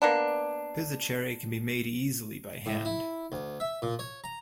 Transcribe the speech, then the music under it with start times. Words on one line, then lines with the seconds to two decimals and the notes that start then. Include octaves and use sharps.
Pizzoccheri can be made easily by hand.
0.02 A#3 B3 D4
2.66 A2
2.85 E4
3.32 D2
3.60 E5
3.82 A#2
3.99 C#5
4.24 A#5